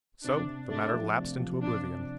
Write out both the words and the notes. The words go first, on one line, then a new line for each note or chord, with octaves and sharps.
So the matter lapsed into oblivion.
C3 D4
C3
A3 D4
F3
C3
F3
C3 D4
C3